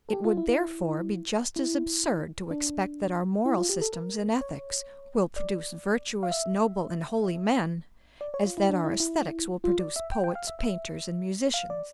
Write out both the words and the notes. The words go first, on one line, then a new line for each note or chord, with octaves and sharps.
It would, therefore, be just as absurd to expect that our moral systems and ethics will produce virtuous, noble, and holy men, as that our aesthetics will produce poets, painters, and musicians.
A4
G4
F4
E4
E4
E4
D4
E4
F4
G4
A4
A#4
C#5
D5
F5
E5
D5
C#5
F4
E4
D4
E4
E4
F4
D5
E5
G5
G5
F5
E5
E5
F5
D5